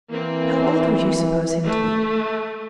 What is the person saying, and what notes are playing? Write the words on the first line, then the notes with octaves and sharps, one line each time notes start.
"How old would you suppose him to be?"
E3 A#3 C4
A3